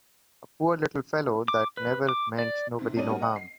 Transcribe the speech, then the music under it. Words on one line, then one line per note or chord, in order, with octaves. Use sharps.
A poor little fellow that never meant nobody no harm!
D6
B4
D6
D5
G#2 C3
F2 G3 C#4 D#4 D5 D#7
G3 A#3 C#4 F#4
D#5 F#5
C7